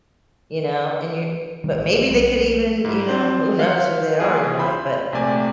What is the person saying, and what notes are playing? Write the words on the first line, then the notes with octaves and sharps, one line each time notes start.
you know, and you but maybe they could even, you know who knows who they are in your life, but
D#3 G3
A1
B1 F3 G3
G#2 E4
C4 D4 C5
E5 F5 C6 F#6 G6 C#7
D#2 E3 F4 G#4
C5 B5
A#1 C3 A3 D5 G#5